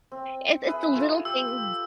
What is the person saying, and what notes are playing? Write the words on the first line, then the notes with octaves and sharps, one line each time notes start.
It's it's the little things
C4
E4 G#4 B4
F4 A4 G#5
G4 E6